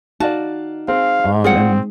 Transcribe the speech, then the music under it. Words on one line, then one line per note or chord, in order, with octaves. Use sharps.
um, and
D#4 F#4 D5 F5 A5
C4 G#4 F5
G#3 C4 F4 G#4 D5 F#5